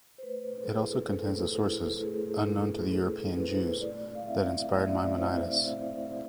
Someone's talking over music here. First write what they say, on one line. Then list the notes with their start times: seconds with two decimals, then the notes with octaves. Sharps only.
It also contains the sources, unknown to the European Jews, that inspired Maimonides.
0.18 C5
0.23 A3 B4
0.63 A4
0.68 E4 G#4
1.13 A3 A4
1.35 A4
1.58 E4
1.81 A4
2.02 A3 G#4
2.25 G#4
2.48 E4 A4
2.70 A4
2.92 A3 A4
3.37 E4 B4
3.45 C5
3.51 B4
3.81 A3 D5
4.15 F5
4.27 C4 E4 E5
4.71 A3 D5
4.84 E5
4.95 D5
5.16 C4 E4 C5
5.61 A3
6.06 C4 E4